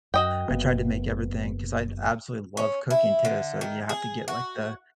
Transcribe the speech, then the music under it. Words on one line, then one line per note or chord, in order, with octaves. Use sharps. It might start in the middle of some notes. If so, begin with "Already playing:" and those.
I tried to make everything 'cause I absolutely love cooking too, so you have to get, like, the,
F#2 F#4 D#5 G5
F#1 A#3 B3
C#4
E4
D3
D#3
G#4
F#4